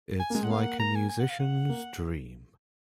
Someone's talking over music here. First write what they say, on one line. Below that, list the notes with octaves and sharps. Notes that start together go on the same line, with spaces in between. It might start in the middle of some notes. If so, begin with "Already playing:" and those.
It's like a musician's dream.
G#5
A#3
G#3 G#5
F#5
A#3 F5
F#5
A#5
G#5
G#5
F#5
F5
F#5
A#3